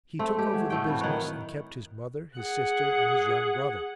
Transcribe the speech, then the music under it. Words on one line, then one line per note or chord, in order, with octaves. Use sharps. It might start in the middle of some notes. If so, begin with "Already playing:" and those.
He took over the business and kept his mother, his sister and his young brother.
A3 C4
G#3 G4
F#3
A2 A3 G5
F2 E3
D#3 C#5 F#5 F#6
G#4 F#5